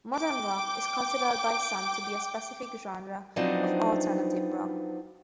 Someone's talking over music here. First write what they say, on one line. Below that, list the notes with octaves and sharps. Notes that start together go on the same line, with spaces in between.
Modern rock is considered by some to be a specific genre of alternative rock.
G5 D6
F3 F#3 B3 C4 D4 D#4